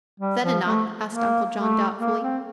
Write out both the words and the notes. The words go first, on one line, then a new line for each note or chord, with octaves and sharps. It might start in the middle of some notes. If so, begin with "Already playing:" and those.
"Is that enough?" asked Uncle John, doubtfully.
G3
F3
A3
A#3
A3
A#3
C4